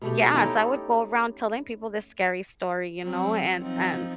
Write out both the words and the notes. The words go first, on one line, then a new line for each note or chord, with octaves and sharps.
Yes, I would go around telling people this scary story, you know? And and
B2 A3 G4
C#4 D#4 E4 G4 A4
F#3 C4
F3 C4 D#4